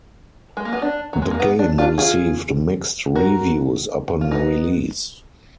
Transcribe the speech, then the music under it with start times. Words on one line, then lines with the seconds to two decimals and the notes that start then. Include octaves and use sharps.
The game received mixed reviews upon release.
0.57 G#3
0.65 A#3
0.73 B3
0.82 D4
1.13 F#3
1.22 G#3
1.31 A#3
1.40 B3
1.59 D4
1.78 D4 F4
1.98 F4 G#4
3.15 F#4 A#4
4.21 F4
4.31 B3 D#4